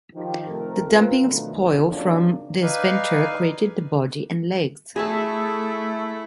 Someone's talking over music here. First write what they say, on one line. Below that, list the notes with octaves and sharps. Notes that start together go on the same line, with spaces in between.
The dumping of spoil from this venture, created the body and legs.
D#3 F3 G4
F2 C3 A3 A#4
C4 F4 A#4 B4
B2 D3 D#3 F3 F#3 A3
B1 F2 D#3
C#3 F3 F#3 A#3 C4 D4
D#4 B4 D5 F5 G#5
A3 E4 G#4 A4 E5 A5